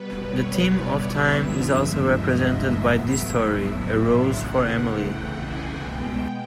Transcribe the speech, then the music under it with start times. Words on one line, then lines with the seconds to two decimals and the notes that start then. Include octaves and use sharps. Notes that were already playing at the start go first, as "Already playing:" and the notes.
The theme of time is also represented by this story, "A Rose for Emily".
Already playing: B2 G3 B3 B4
0.25 C#5
0.62 D5
1.00 E5
1.37 G2 D3 F3 G#3 B3 E5
2.11 D#5
2.48 E5
2.85 A2 F#3 B3
4.33 C#3 E3 A3 F#5
5.07 G5
5.44 G#5
5.81 B2 G#3 B3 G5